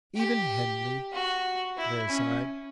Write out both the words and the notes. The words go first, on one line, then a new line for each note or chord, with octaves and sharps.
"Even Henley!" Clare sighed.
G4
F#4
E4
C#4